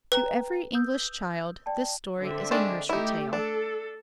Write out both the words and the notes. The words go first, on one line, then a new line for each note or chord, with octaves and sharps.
To every English child this story is a nursery tale.
B4 G5 A#5
D#6 E6 G6
D5 G5 A5
D3 C4 E5
D#3 G#3 D4
A3 D#4 E4 G4
D4 A4